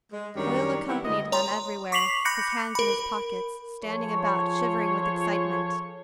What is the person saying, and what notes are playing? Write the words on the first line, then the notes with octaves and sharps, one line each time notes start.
Hoyle accompanied them everywhere, his hands in his pockets, standing about, shivering with excitement.
G#3
F#2 D#3 G3 D4 C#5
G3 B3 C4 E4
D2 D#5
C#5 A#5 C6
C#6 D6 B6 C7 F7 F#7
B5 D6 F#6 G6 A#6 C#7
A#4 B5
F3 F4 G#4 A4 C5 C#5